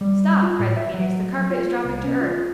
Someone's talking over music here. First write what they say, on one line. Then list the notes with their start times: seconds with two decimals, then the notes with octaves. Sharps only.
'Stop!' cried the Phoenix; 'the carpet is dropping to earth.'
0.01 G3
0.42 F4
0.59 A2
0.77 E5
0.94 F#3
1.50 F4
1.85 C2
2.04 C#4
2.21 F4